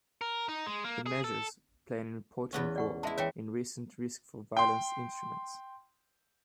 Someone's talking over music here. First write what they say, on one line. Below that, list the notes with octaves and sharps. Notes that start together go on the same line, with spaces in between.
The measures play an important role in recent risk-for-violence instruments.
A#4
D#4
G#3
A#3
G#4
A4
E2 B3 C#4
D5 F#5 C#6
G#3 E4 E5 A5
E3 C#5 E5 G5
G5 C6